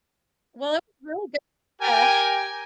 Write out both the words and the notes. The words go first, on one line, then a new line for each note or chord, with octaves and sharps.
Well, it was really good, uh,
G4 A#4 G5 G#5